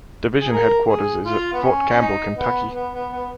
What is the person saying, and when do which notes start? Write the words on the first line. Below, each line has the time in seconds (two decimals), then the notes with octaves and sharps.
Division headquarters is at Fort Campbell, Kentucky.
0.40 G#4
0.52 A#4
0.88 G#4
1.25 F4
1.53 B3
1.62 C#4
1.89 C#4
2.00 D#4
2.37 B3
2.74 B3
2.93 B3
3.11 B3